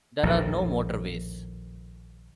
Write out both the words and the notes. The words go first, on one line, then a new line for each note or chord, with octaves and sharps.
There are no motorways.
A#1 D#2 A2